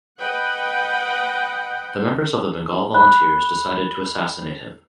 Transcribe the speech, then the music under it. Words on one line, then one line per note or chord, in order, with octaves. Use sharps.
The members of the Bengal volunteers decided to assassinate him.
B4 D#5 F#5 G5
B5 F#6